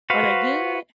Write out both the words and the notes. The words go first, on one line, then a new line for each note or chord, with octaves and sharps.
Are they good?
F#4 B4 C5 F5